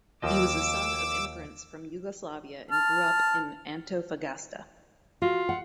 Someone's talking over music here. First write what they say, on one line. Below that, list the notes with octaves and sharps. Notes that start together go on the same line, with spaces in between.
He was the son of immigrants from Yugoslavia and grew up in Antofagasta.
D#2 F3 D#5 D6 E6
A5 F6
F4 F#4
F#5